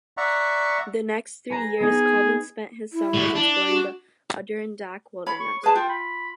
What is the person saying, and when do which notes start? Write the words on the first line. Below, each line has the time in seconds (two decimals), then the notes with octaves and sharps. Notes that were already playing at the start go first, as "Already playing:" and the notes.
The next three years, Colvin spent his summers exploring the Adirondack wilderness.
0.17 D5 E5 F#5 A#5 C#6
1.50 G#4 B4 A#5
1.80 B3 D#4 G#4
2.93 E4
3.14 A2 F#4
3.35 D4
3.68 F#4
5.26 C#5 B5
5.40 C#6
5.63 G#4 B4 A5
5.76 F4 G5
5.90 B5